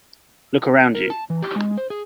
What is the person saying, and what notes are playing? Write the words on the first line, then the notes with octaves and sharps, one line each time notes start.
Look round you.
A#4
A5
E3
G4
G#3
C5
G#4